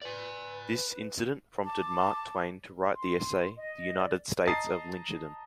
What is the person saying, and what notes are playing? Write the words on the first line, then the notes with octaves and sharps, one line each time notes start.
This incident prompted Mark Twain to write the essay "The United States of Lyncherdom".
B4 D5 G#5
A5 D6
C6
D#5
D5
D#5 A5 A#5 D#6 A6 C7